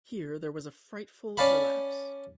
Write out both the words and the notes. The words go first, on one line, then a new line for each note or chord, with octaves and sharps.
Here there was a frightful relapse.
C#4 D5 F5 A5 B5